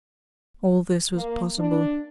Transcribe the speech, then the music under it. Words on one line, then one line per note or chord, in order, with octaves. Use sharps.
All this was possible.
A#3
D4